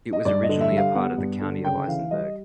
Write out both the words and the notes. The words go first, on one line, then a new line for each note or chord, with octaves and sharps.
It was originally a part of the County of Isenburg.
D#5
G2 D5
D#5
D3
E5
G3
F5
B3 F#5
G2
D3
C#3 G5
E3 F5
G3 D#5